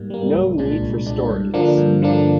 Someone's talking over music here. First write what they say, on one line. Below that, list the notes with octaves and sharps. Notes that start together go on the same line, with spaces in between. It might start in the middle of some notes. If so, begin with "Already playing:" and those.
No need for stories.
Already playing: G#2 G3 A#3
G3 A#3
C2
A#2 G#3 D4
C2
A#2 G#3 D4
G2
D3 F3 A#3 D4
G2
D3 F3 A#3 D4